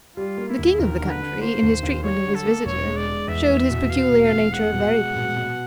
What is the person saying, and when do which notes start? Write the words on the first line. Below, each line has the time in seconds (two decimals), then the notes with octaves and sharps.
The king of the country, in his treatment of his visitor, showed his peculiar nature very plainly.
0.16 G3 F4
0.38 A#3
0.48 E4
0.59 D#2
0.79 D#2 A#4
1.00 D3
1.10 B4
1.20 D3
1.41 A#3 C5
1.62 D#2
1.83 D#2
2.03 G3 C#5
2.25 D3
2.35 A4
2.45 A#3
2.65 E1 C#5
2.87 G#3
2.97 D5
3.07 G#3
3.28 E2 E5
3.49 E2
3.70 B2
3.90 B2 F5
4.11 E1
4.22 F5
4.32 E2
4.52 G#3 F#5
4.73 B2
4.94 G#3
5.15 B2
5.36 B2